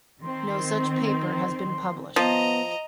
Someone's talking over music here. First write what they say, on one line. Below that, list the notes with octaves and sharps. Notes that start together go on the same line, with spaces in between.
No such paper has been published.
D#3 C4 C6
F3 B3 D#5 A#5